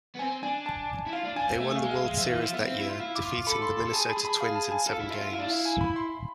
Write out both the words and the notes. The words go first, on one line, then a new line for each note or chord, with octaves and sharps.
They won the World Series that year, defeating the Minnesota Twins in seven games.
B3
C4 G#5
D4 G#5
A5
E4
F4 F5
D4
D4 G#5
C4
A3 E5
F5
G#3
F5
G#3 F5
F3 E5
E3 F5
F3 F5
B3 E5
C4
E4
F4
E4 F5
D6
F4
D6
A4 B5
C6
C6
A4
G#4 A5
B5
G#4
B5
F5
A5
G#5
A4 F5
E4
F4 E5
F4
E4 F5
D4
E4 F5
G#5
B5
C6